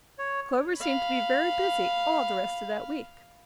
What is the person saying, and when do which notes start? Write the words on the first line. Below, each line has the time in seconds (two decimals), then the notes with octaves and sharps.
Clover seemed to be very busy all the rest of that week.
0.19 C#5
0.78 F5 B5